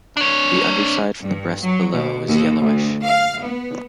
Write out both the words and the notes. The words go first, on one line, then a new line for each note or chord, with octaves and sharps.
The underside from the breast below is yellowish.
D4 C#5
G2
F#3
B2
D#2
D2
F5
B3